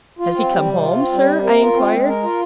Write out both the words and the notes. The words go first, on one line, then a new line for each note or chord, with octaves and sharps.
'Has he come home, sir?' I inquired.
F4
C4
G3
C3
F4
C4
G3
C3
A#4
F4
C4
G#3
A#4
F4